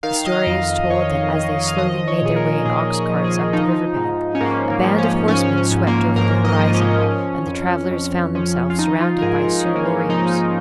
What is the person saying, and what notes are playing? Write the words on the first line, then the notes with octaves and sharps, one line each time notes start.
The story is told that as they slowly made their way in ox-carts up the river-bank, a band of horsemen swept over the horizon, and the travellers found themselves surrounded by Sioux warriors.
D#3 F5
D#5
F5
F2
F2 C#5
D#3
F5
F3 D#5
C#5
A#2 G#4
A#4
A#2 G#4
G#4
F3
G#4
F3 D#4
G#2
C#4
G#2 A#3
A#3
F3
C#4
F3 C#4
C#4
G#2
A#3
G#2 A#4
D#5
F3
C#4
F3
F2
F2 C#4
F3 C#4
F4
F3 D#4
F4
A#4
G#2 G#4
D#4
G#2 C#4
A#3
C#4
F3 D#4